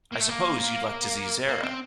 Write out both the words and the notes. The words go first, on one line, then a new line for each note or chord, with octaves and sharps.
I suppose you’d like to see Zara.
A#3
A3
A#3
A#3
C4